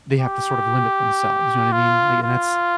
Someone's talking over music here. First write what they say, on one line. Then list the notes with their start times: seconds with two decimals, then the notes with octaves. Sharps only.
they have to sort of limit themselves, you know what I mean? Like, and that's
0.20 G4
1.72 F4
2.22 F4